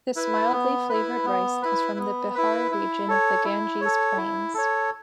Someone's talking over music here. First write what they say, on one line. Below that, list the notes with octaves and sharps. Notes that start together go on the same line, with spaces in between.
This mildly flavoured rice comes from the Bihar region of the Ganges plains.
E4 B4
B3
E4 B4
B3
E4 B4
B3
E4 B4
E4
A4 C#5
E4
A4 C#5
E4
A4 C#5